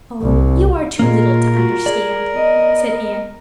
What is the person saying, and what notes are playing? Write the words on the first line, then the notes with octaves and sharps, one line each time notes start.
"Oh, you are too little to understand," said Anne.
C2
A#2 G#3 A#3 F4 A#4
F4 F#4
G#4 D5
B3 D#5